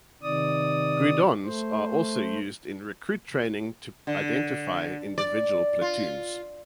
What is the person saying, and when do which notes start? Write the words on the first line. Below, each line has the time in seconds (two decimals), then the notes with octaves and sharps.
Guidons are also used in recruit training to identify individual platoons.
0.23 C3 D#3 D5 D#6
1.45 A3 C5
4.07 D3
5.18 D5
5.81 F4